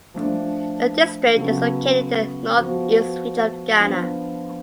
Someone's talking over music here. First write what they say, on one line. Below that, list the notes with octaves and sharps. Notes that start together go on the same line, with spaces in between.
The district is located in the North East Region of Ghana.
F3 A3 D4
C#3 F#3 B3 F#4 A4
F3 B3 F#4
F3 B3 D4 F4